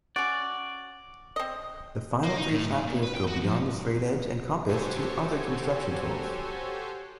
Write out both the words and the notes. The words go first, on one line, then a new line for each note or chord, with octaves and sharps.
The final three chapters go beyond the straightedge and compass to other construction tools.
C#4 F#4 D5
C4 D#5
A#3
D#4
A2
G#2
A#2
B4
G5
F#4
F3
F#4 G4 A4 C5 C#5 G#5